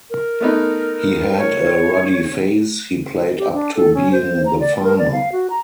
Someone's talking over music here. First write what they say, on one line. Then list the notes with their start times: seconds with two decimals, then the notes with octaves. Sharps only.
He had a ruddy face, he played up to being the farmer.
0.10 A#4
0.40 A3 B3 D#4
1.37 C#5
3.38 G4
3.53 D4
3.75 A4
3.94 C#4
4.12 C5
4.46 A#5
4.60 D5
4.83 A#4
4.99 D5
5.12 F5
5.32 F#4
5.50 A#5